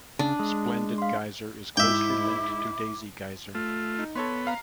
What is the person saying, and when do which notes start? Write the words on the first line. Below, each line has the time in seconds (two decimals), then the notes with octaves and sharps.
Splendid Geyser is closely linked to Daisy Geyser.
0.19 C#3 D4 A5
0.39 G#3
0.98 F5 C6
1.77 G#2 E4 E5 G5 D6
3.55 A3 F4
3.99 D#4
4.15 B3 A4 C#5 C6
4.47 F5 A#5